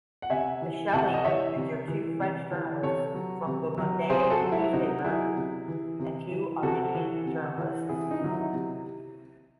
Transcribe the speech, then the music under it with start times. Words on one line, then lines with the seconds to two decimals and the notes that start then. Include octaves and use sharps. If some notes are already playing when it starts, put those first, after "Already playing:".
The shelling injured two French journalists from "Le Monde" newspaper and two Armenian journalists.
0.22 F#5
0.30 C3 E5 G#5
0.62 E3
0.93 C3 F#5 A5
1.14 D#5
1.25 E3 C#5 E5
1.56 C3
1.88 E3
2.20 C3
2.51 E3
2.83 C3 A4 C#5
3.14 F#3
3.46 C3
3.78 F#3
4.10 C3 G#4 C5
4.23 C5
4.30 F#4 A4
4.41 F#3
4.52 E4
4.73 C3 D#4 F#4
5.04 F#3 E4 G#4
5.36 C3
5.68 E3
6.00 C3
6.31 E3
6.62 C3 F#4 A4
6.95 E3
7.26 C3
7.58 E3
7.89 C3 E4 G#4
8.11 D#4
8.21 D#3 F#3
8.31 E4
8.53 C3